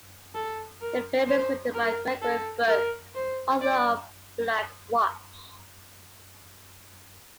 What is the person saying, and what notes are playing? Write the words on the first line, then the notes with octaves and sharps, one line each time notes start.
The film is written by Gregory Burke, author of "Black Watch".
A4
A#4
C5
A#4
A4
A#4
C5
D5